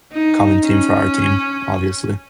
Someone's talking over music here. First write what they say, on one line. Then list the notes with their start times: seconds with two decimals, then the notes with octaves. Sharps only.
common team, for our team, obviously.
0.13 D#4
0.66 C#4